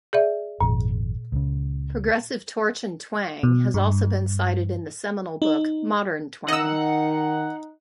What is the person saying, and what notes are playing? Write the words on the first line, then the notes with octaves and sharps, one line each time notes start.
"Progressive Torch and Twang" has also been cited in the seminal book "Modern Twang".
G#4 D5 E5
G#1 F2 A#2
C#2 C#3
B2
G2
D#4
D#3 D#4 D#5 F#5 E6